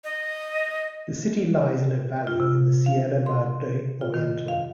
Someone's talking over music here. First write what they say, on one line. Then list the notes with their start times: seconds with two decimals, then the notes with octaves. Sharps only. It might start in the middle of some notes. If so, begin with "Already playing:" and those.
The city lies in a valley in the Sierra Madre Oriental.
0.04 D#5
2.27 F4
2.40 C3
2.86 F5
3.26 C6
4.01 F4
4.14 D#3
4.48 F5